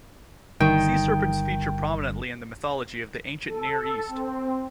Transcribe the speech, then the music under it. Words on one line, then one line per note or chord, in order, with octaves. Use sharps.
Sea serpents feature prominently in the mythology of the Ancient Near East.
G1 D3 D#3 G3 G5
A4
C4